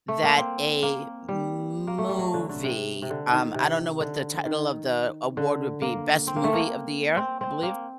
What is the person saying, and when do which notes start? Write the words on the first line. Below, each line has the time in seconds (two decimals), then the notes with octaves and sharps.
that a movie, um I don't know what the title of the award would be, Best Movie of the Year, I believe?
0.08 A3
0.23 A#3
0.38 C4
0.83 A#3
1.29 G3
1.87 A#3
1.98 A3
2.09 G3
2.19 F#3
2.34 D3
2.49 D3
2.64 C3
3.02 C3
3.10 D3
3.32 D#3
3.55 C3
4.00 D3
4.46 D#3
5.37 D3
5.82 A#3
6.27 C4
6.36 A#3
6.44 A3
6.53 A#3
7.17 C4
7.41 C4
7.63 A#3